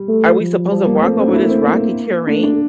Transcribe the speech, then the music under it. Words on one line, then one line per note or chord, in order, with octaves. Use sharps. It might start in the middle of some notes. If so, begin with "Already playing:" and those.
"Are we supposed to walk over this rocky terrain?"
Already playing: G3
A3
F3
F3 G3
A#3
A3 C4
C4
D4
E4
A#3
C4
A#3
A3 D4
D4